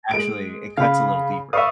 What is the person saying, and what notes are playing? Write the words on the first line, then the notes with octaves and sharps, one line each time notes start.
actually it cuts a little deeper.
G#3 D7
C#3 F5 B5
B4 D5 E5 F5 C#6 D#6